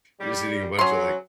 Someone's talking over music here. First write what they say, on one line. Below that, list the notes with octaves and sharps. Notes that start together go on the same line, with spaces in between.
you're just eating a bunch of, like,
G3
F#3 C#4 C6